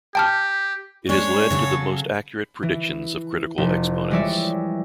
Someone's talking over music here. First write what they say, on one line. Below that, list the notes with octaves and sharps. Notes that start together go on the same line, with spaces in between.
It has led to the most accurate predictions of critical exponents.
G4 G5 A5 F6
G#3 C#4 D4 C#5
C#3 F#3 A4
E3
F1
E3 G3 G#3 C#5 D5 E5